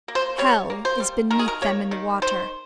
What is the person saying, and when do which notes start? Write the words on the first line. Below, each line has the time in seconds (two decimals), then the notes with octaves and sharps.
Hell is beneath them in the water!
0.08 A#3
0.15 C5
0.38 G3 C#5
0.70 A#3
0.85 C5
1.00 G3
1.30 D#3 A#4
1.39 G#4
1.48 A#4
1.62 A#3 C#5
1.91 D#3
2.22 D#3 C5